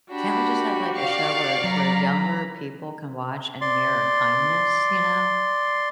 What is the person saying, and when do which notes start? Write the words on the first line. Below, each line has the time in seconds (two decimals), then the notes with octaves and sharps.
"Can't we just have, like, a show where where younger people can watch and mirror kindness, you know?"
0.11 D4 F#4 G4 B5
0.97 D5 F5 C#6
1.64 F#3 A#5 B5
3.61 D5 C6